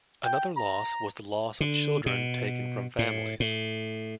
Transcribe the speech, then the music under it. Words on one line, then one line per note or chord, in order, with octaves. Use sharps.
Another loss was the loss of children taken from families.
G5
A#5
D3
B2
A2
A2